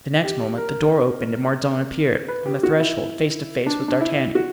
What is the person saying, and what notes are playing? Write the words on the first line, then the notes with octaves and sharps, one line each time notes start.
The next moment the door opened and Mordaunt appeared on the threshold, face to face with D'Artagnan.
G4
A#4
B4
G4
F#4
E4
D4
D4
E4
F#4